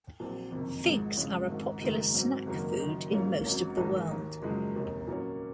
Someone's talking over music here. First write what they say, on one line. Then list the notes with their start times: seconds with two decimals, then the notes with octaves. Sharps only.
Figs are a popular snack food in most of the world.
0.20 A#1 A#2 F#3 C4
0.51 F#1 F2 C3 D#3
0.84 G#1 G#2 F3 G#3
1.17 F2 C#3 G#3 C#4 F4
1.49 G#1 G#2 D#3
1.81 F#1 F#2 D#3 G#3
2.14 G#2 F#3 C4
2.46 F#1 F#2 D#3 F#3 A#3
2.80 F#1 F#2 D#3
3.11 G#2 F#3 A#3 C#4 F4
3.45 G#1 G#2 F#3 C#4
3.76 A#1 G#2 D#3 G#3 D#4
4.10 D#2 D#3 A#3
4.42 F#1 F#2 F3 G#3
4.75 F1 D#2 D#3
5.07 A#2 F#3 A#3 C#4